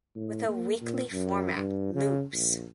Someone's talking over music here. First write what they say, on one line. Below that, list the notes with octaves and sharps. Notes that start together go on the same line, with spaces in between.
With a weekly format, “Loops”!
A2
A#3
A#2
F#2
G2
C#3
A#1